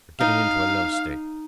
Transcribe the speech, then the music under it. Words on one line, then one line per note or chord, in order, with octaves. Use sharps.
You're getting into a low state.
D#4 F5